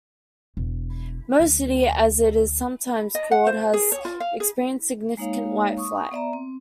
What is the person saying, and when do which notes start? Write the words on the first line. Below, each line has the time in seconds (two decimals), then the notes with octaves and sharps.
"Mo City", as it is sometimes called, has experienced significant "white flight".
0.57 E1
1.39 D2
3.15 D#5
3.31 F#5
3.47 C5
3.74 G#4
3.92 C#5
4.05 F4
4.20 F5
4.40 G#4
5.17 G#3 A#3 D#4 C#5 F5
5.77 C#6 D#6
6.11 B3 D5 E5 A#5
6.33 C4